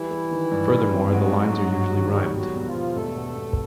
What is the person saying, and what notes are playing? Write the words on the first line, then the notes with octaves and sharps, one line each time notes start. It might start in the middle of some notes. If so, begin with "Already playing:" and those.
Furthermore, the lines are usually rhymed.
Already playing: E3 G3 E4
G3
D#3
G2
G2
C4
G#2 F#3 F#4
G#2
G#2
G#2
D#3
G3
E1 F#3 F#4
E1
F3 F4
B2
E1 A3 A4
B2
E1